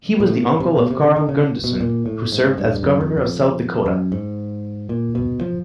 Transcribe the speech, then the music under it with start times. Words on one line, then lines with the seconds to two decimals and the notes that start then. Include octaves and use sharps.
He was the uncle of Carl Gunderson who served as Governor of South Dakota.
0.20 A#2
0.27 A2
0.60 C3
0.77 B2
0.91 C3
1.03 C#3
1.16 D3
1.29 C#3
1.64 B2
1.81 A#2
2.06 A2
2.32 G#2
2.58 G2
2.83 F#2
3.01 F2
3.17 F2
3.86 F#2
4.12 G#2
4.89 A#2
5.15 B2
5.41 F3